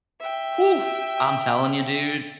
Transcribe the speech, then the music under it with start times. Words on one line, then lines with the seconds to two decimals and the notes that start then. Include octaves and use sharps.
Oof! I'm telling you, dude,
0.20 E5 G5